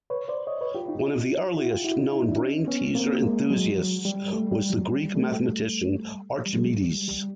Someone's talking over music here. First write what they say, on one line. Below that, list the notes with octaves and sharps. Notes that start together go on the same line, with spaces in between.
One of the earliest known brain teaser enthusiasts was the Greek mathematician Archimedes.
B4 C#5
C5 D5
C#5 D#5
B4 C#5
F4 G4
D#4 F4
E4 F#4
F4 G4
E4 F#4
D#4 F4
E4
D#4
D4 E4
C#4 D#4
B3 C#4
A#3 C4
G#3 A#3
F#3 G#3
F#3
G3
G3 A3
G3
F#3
G3
G3 A3
G3
F#3 G#3
G3
G3